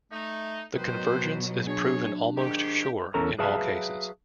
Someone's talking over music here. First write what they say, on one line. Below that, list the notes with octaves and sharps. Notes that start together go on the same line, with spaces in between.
The convergence is proven almost sure in all cases.
A3 D#4
B2 D#3 F#3 B4 C5
D4 G#4 C#5
G#2 D#3 G4
E2 C#4 A4 A#4 A#5
F#3 G#4 B4 E5 F5 A5